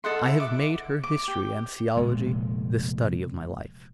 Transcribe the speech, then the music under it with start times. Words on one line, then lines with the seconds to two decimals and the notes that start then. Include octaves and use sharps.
I have made her history and theology the study of my life.
0.04 A4 D#5 F#5 C6
0.26 E4
0.40 D6
1.03 D6
1.28 G4
1.97 F1 A#2 G#3